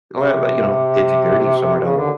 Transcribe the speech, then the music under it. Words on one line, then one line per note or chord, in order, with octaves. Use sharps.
l l, you know, did you dirty somewhere down the ro
C3
C#3
D3